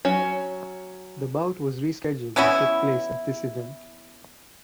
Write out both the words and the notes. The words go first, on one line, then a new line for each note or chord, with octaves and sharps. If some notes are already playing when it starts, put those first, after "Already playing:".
The bout was rescheduled and took place at this event.
F#3 C#4
E3 B3 C#4 E4